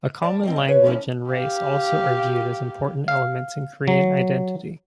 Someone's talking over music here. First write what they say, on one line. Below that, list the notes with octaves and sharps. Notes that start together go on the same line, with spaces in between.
A common language and race also are viewed as important elements in Korean identity.
D5 A5
G3 G#3 C4
G3
B4 C#5
D3 F3 C#4 E4
G4 F5
F5
F#3